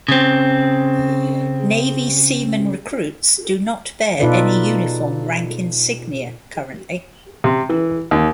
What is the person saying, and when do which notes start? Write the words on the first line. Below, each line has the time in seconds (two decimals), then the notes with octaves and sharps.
Navy seaman recruits do not bear any uniform rank insignia currently.
0.08 C#3 C4
4.20 B2 D#4 F4 A4 B4 D5
7.44 C3
7.69 E3
8.11 D#2